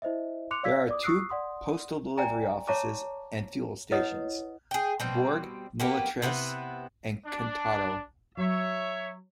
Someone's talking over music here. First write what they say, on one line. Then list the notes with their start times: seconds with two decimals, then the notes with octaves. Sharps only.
There are two Postal Delivery Offices and Fuel Stations; Bourg Mulatresse and Cantaro.
0.02 E4 C5 D#5 E5
0.51 C6 D6 F#6 C#7 F7
0.63 C#5 D5 F5 E6 G#6 B6
0.89 D5 D6 D#6
1.03 C#6 D#6 E6 F#6 C7
1.29 D5 F#5 C6 D#6
2.17 D5 E5 G5 G#5 A#5
2.67 C#5 E5 A5 A#5 C#6 D6
3.91 E4 B4 C#5 D#5 F#5 D#6
4.71 G#4 G5
5.00 B2 G3 C4
5.80 A#3 B3 G4
6.22 C3 B3 E4 B4
7.26 D4
8.37 F#3 C#5 E5